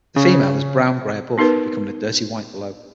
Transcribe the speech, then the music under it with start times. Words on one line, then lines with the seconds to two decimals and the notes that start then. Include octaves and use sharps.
The female is brown-grey above, becoming dirty white below.
0.16 C#3
1.38 B3 D#4 G4 A#4 B4